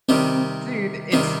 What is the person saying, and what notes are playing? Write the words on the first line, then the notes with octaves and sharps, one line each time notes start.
Dude, it's
C3 D#3 G3 C4
C3 D#3 G3 C4